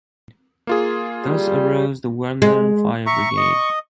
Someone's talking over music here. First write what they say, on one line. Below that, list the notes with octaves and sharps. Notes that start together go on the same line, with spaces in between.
Thus arose the Wormeln fire brigade.
A#3 F4 G#4
G3
G#3
E5 A#5 C#6
D#5